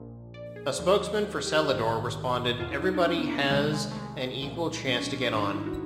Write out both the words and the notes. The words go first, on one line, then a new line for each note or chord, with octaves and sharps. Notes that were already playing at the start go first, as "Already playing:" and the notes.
A spokesman for Celador responded Everybody has an equal chance to get on.
Already playing: A#1 A#2 F3
D5
G#4
D#2 D3 F3
G4
G4
A#1 G#2 D#3
E2 B2 F4
E4
D#4
D4
C#4
B3
A#3
A3
C2 C3 D#3 G#3
G#3
A3
G#3
C2 A#2 F3
C#4
D4
C#4
C#4
G#1 G#2 D#3 D4
D#4
E4
F#4